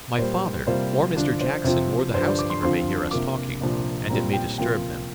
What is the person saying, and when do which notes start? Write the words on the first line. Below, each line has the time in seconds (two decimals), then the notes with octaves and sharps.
My father, or Mr. Jackson, or the housekeeper, may hear us talking, and it may disturb them.
0.18 A#2 G3 A#3 F4 C5
0.67 C3 G3 A#3 F4 C5
1.15 D2 D3 F3 D4 F4
1.41 C5
1.64 C3 F3 C4 F4
2.14 G2 D3 F3 C5
2.27 D5
2.39 D6
2.50 C6
2.63 F2 D3 F3 C4 F4 C6
3.11 C3 A#3 F4 D6
3.61 C2 A#2 F3 D4
4.09 A#2 G3 C4 F4 A#5
4.33 G5
4.58 C3 F3 A#3 F4 G5